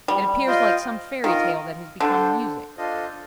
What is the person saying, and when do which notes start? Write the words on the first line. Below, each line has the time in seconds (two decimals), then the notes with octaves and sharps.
It appears like some fairy tale that has become music.
0.08 G3
0.46 F4 C5 D#5 G5
1.23 D#3 F4 A#4 D#5
2.00 D3 D4 A4 C5 G5
2.77 D4 F4 A4 C5 D#5